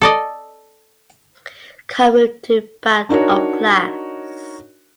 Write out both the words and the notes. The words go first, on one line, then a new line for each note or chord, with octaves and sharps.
Car moved to back of class.
A4 D5 D#5
D4 D#4 F#4 A#4 C#5